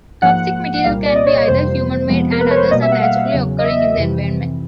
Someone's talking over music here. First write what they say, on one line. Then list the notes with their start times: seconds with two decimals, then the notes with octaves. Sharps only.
Toxic material can be either human-made and others are naturally occurring in the environment.
0.22 G#2 F3 A#3 F#5
0.74 F#5
0.84 C2 A#2 G3 A#3 F5
1.06 D5
1.15 D#5
1.26 C#5
1.37 C#5
1.47 F2 C3 E3 G3 A#3 C5
2.09 F2 C3 F3 G#3 B3
2.32 A#4
2.41 B4
2.51 C#5
2.56 C5
2.71 B2 G3 A#3 D#5
2.82 E5
2.92 F#5
3.02 F5
3.34 E2 C#3 F#3
3.59 D#5
3.65 E5
3.97 F2 C3 E3